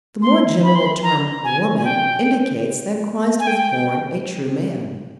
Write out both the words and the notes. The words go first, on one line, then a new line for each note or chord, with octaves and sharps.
The more general term "woman" indicates that Christ was born a true man.
C6
B5
C6
B5
A#5
G#5
G#5
G5
G#5
G5